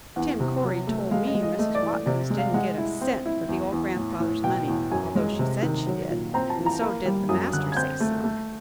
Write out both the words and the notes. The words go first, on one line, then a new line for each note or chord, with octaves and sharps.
Tim Corey told me Mrs. Watkins didn't git a cent of the old grandfather's money, although she said she did, and so did the master say so.
E2 F#5
C3
F#3
A3
G#3 F5
D#5
G#3
D#5
A3 D#5
D5
E3
D5
C3 D5
G#3
F5
G#3 F#5
E4
C4
E4
E2
E2
A2
A2
B2 G5
E2
F#2 G#5
G#3
C3
D#3
F#3
A#2
C4 A#5
A5
E3
A#5
A#3 B5
G3
F#2 D#6
D3 F#6
G#6
C4 G6
A3
A3